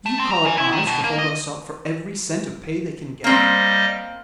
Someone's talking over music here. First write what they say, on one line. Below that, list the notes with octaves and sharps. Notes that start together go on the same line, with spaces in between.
Do you call it honest to hold us up for every cent of pay they can get?
A3
C4
A#5
E3
E4
D#3
B2
A#3
D#5
G3 A#3 C4 D#5